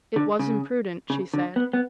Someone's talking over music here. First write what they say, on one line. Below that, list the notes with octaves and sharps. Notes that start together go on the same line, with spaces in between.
"It was imprudent," she said.
D3
C#3
C#3
D3
B3
B3